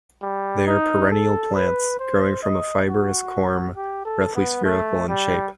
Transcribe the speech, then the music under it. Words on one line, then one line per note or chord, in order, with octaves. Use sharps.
They are perennial plants growing from a fibrous corm, roughly spherical in shape.
G3
D#4
A4
B4
C5
D#5
F#4
G4
A4
B3
A3
G3